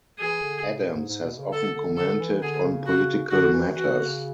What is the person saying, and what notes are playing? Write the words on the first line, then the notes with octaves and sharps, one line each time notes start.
Adams has often commented on political matters.
E3 G#4
D3
C#3
B2
G#2
G#2
B2
C#3
D3 A4
D3
D3 A4
E3
D3 G#4
C#3
F#4
D3 F#4
E3
D3
E3 F#4
D3
C#3